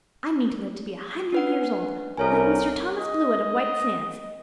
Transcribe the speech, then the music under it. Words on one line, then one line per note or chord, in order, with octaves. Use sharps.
I mean to live to be a hundred years old, like Mr. Thomas Blewett of White Sands.
D4 B4 F#5
C2 A4 A#4 C#5 G#5
D#5